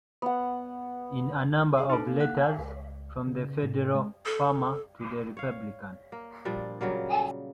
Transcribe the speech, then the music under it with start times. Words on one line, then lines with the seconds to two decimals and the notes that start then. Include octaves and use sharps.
In a Number of Letters from the Federal Farmer to the Republican.
0.22 B3 F#5
1.77 G#4
1.90 D4 D#4 A4
2.05 A#3
2.20 F#5 F#6
2.58 C#2
3.27 C#3
3.63 A2
3.95 G#3
4.26 A4
5.37 C#5 F5
6.12 A#3
6.45 A#2 F3 G3 D4
6.81 C#3 F#3 G3 A#3